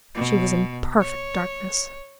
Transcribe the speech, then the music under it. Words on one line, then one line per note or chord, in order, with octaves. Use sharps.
She was in perfect darkness.
B2
C#5